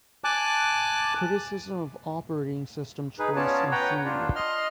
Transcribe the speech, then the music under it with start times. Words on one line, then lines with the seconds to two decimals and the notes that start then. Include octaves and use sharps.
Criticism of operating system choice ensued.
0.24 G#5 A5 D6 F#6
3.19 D#4 G#4 B4
3.36 B3 C#4 F4 C#5 D5 A5
3.72 B4 C#5 F#5 G5 A#5
4.04 D4 F4
4.35 D#5 C6 F6